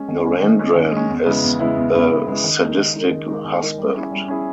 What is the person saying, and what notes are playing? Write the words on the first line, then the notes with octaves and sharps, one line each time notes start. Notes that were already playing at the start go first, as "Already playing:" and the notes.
Narendran is a sadistic husband.
Already playing: G#3 C#4
D#3
G#3 C#4
D#3
G#3 C#4
D#3
G#3 C#4
E2
C#3 G#3 B3 E4
E2
C#3 G#3 B3 E4
E2
C#3 G#3 B3 E4
E2
C#3 G#3 B3 E4
D#3
G#3 D#4 A#4
D#3
G#3 D#4 A#4
D#3
G#3 D#4 A#4
D#3
G#3 D#4 A#4
G3
C#4 E4 G#4
G3
C#4 E4 G#4